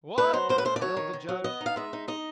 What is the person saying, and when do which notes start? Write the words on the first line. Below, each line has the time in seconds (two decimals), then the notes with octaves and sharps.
"What!" yelled the Judge.
0.18 A3 B4
0.33 F#3 C5
0.49 A2 C5
0.58 B4
0.65 A3 C5
0.76 D5
0.81 F#3 C#5
0.97 D#3
1.13 D#3
1.29 F#3
1.44 B3 D#5
1.61 D#4
1.66 F5
1.76 G#3 E5
1.93 D#4
2.08 D#4 D#5